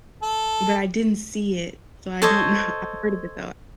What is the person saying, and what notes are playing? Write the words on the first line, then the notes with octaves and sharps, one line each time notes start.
But I didn't see it, so I don't know, I've heard of it though,
A4
A4 C5 C#5 D#5